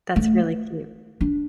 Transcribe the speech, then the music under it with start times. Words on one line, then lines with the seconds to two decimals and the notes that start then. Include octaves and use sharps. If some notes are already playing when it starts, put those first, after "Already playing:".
That's really cute.
0.16 A3
1.21 D4